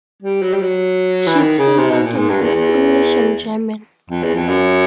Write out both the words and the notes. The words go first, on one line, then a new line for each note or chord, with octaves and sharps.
She is fluent in both English and German.
G3
F#3
G3
F#3
E3
D#3
C#3
C3
B2
A#2
G#2
G2
E2
E2
F2
E2
F2
F#2